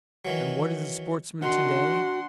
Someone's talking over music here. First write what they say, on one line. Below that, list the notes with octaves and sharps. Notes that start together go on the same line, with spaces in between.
And what is a sportsman to-day?
D#3 E3 F#3
D#3 D4 F#4 F#5 C6